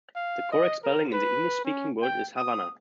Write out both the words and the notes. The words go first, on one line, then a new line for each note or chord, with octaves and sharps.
The correct spelling in the English speaking world is Havana.
F5
D#5
A#4
B4
C#4
G5
D#6